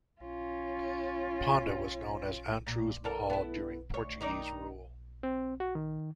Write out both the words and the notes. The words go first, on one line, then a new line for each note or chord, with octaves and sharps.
Ponda was known as Antruz Mahal during Portuguese rule.
C#4 F4
A#2
E2 A4 A#4
B3 E4
D2 C#5
D#3 D#4 D5
C4
F#4
D#3